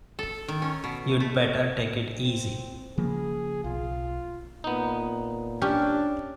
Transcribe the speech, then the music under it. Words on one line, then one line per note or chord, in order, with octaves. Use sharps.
You'd better take it easy.
A4
D#3
C#4
B2
A3
C4
C#3 F3 A#3 G#4
B1 F4
A#2 B3 D#4
C#4 D4 G4